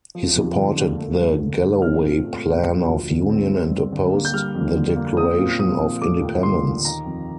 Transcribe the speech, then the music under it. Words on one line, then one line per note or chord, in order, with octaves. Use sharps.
He supported the Galloway Plan of Union and opposed the Declaration of Independence.
F3
F2
D3
A#3
A3
G2
D3
G2
C4 F6
A#2
A3
A#2
F3
D2
D3
C4
G3
G2
D3
A#3
G6
G3 F6
F2
D3
A#3
C4 D#6
A#2
F3 D#6
A#2
A3 D6
D#2
D3 C6
D#2
D#3 A#5
F2